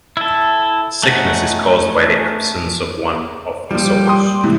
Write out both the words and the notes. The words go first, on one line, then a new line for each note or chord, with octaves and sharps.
Sickness is caused by the absence of one of the souls.
E4 A4
A3 C#4 D#4 F#5
A#2 F3 G3
G5 C6 D#6
G#2 C3 E3